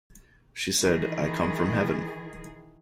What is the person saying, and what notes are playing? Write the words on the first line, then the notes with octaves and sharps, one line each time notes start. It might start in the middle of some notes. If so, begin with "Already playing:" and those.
She said: "I come from Heaven".
D#3 E3 G#4